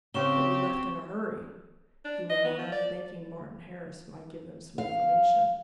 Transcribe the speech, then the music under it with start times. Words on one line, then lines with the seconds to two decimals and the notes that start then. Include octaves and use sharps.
"But we left in a hurry!" he went on, thinking Martin Harris might give them some information.
0.14 C#3 C4 G4 C#6 E7 G7
2.05 D4
2.30 D#5
2.45 B3
2.59 F3
2.72 D5
4.78 F5